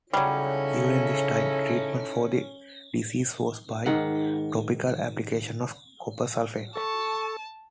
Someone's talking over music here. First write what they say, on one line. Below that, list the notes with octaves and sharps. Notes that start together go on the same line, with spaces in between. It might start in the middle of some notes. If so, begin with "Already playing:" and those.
During this time treatment for the disease was by topical application of copper sulfate.
C#3 F#3 G3 C#4 D#4 E4 A4
G#2 D#3 F#5
A4 A5 C#6